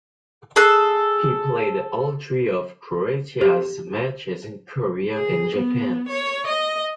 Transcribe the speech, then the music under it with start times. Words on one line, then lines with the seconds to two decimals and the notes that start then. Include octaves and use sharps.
He played all three of Croatia's matches in Korea and Japan.
0.56 G#4 A4 E6 F#6
3.41 G4
5.14 G#4
5.55 B3
6.08 C#5
6.47 D#5